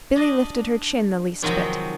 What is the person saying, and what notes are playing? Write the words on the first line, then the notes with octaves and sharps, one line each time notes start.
Billy lifted her chin the least bit.
D4 D#5
C3 D#3 F3 F#3 G#3 C4